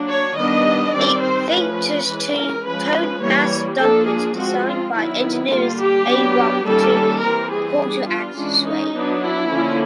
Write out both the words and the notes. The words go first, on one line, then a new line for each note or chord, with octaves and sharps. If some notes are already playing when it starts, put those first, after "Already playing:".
It features two tuned mass dampers, designed by engineers Arup, to counteract sway.
Already playing: F#3 A#3 D4
C#5
D#3 G3 B3 D4 D#5
D#3 G3 C4 D5
C5
F3 A3 C#4 B4
E3 G#3 C#4
A#4
F3 G#3 C#4 B4
E3 G3 A#3 C#5
F3 A#3 D4 A4
G#4
F3 G#3 C4 F#4
F4
D#3 F#3 B3 E4
D3 G3 A#3 F4
G4
F#3 B3 D4
D#3 G3 A#3 C#4 A4
E3 G3 C4 A#4
G#4
G3 B3 D4
F4
E3 G#3 C#4 D4
D#4
F#3 B3 D4
E4
D3 F3 A#3 C#4